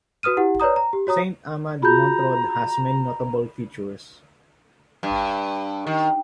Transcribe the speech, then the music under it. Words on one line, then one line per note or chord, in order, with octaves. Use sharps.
Saint-Amand-Montrond has many notable features.
F#4 B4 D#6 F6 D#7
E4 G4 F#5
B4 C#5 D5 A#5 D#6
A#5
G4
F#4 C#5 A#5 D#6
F4 F#4 G#4 A#5 B5 G6
G2
D#3